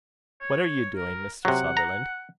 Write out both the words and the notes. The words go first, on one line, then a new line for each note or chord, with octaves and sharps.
"What are you doing, Mr. Sutherland?"
C#5
A#4
C3 F#3 F#5
A#5